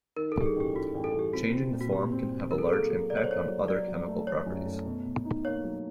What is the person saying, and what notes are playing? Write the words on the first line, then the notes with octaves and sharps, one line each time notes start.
Changing the form can have a large impact on other chemical properties.
D#3 A#4
A4
G2 G4
G#4
A1 G4
A1 F#4
A1
A4
A1 G4
C4 F#4
C4
A#2
F#4
A#2 G4
C4
C4
F#3 A#4
A4
G#4
A#3 A4
F#3
A#3 D5
C#5
C5
A#3 C#5
F#3
F#3 D5
F#3
A3
A3 C#5
F#2
A3
B2
B2
D#4
A#3 C#5
F#3